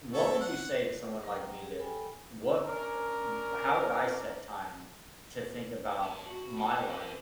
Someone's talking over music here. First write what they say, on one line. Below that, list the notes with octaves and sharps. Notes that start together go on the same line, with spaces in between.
What would you say to someone like me that what eh how would I set time to think about my life,
A4 C#5 E5
F#5
F#3 A#4 G5 A#5
G4 G#4
A4 G5 G#5 B5
C#4 D4 A#4
B3 A5
F#4
D#5 G5
A#4 E5